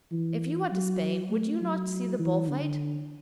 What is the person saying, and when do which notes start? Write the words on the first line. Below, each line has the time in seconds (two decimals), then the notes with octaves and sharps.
If you went to Spain, would you not see the bull-fight?
0.12 E3
0.71 F#3
1.30 A3
1.61 F#3
2.19 E3
2.49 D3